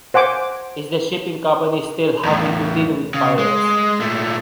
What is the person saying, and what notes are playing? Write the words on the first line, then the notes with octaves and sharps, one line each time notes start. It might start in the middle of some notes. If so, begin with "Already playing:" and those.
Is the shipping company still having to deal with pirates?
C5 F#5 G#5 D6
E2 A2
C#3
G#3
A#2 A3